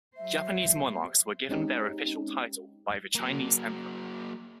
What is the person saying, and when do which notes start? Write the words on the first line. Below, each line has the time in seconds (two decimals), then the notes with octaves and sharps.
Japanese monarchs were given their official title by the Chinese emperor.
0.17 F#3 C5 E5
1.49 G#3 C4 C#4 D#4 G4
3.15 F#3 A#3